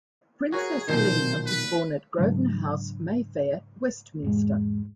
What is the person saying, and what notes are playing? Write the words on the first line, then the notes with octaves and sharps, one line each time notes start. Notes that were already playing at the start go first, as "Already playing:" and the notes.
Princess Helena was born at Grosvenor House, Mayfair, Westminster.
F#4 G#4 A#4 C#5
B1 A#2 D#3 C5
B4
G#2 C#3 F#3 D4
E2 G#2 G#3